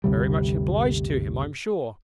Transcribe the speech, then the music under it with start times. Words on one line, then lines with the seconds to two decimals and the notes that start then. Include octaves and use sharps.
'Very much obliged to him, I'm sure.
0.04 G1 D2 C3 G3